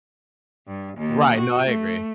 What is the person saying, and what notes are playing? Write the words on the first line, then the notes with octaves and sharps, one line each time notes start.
Right, no I agree.
G2
D#2
F#4
A3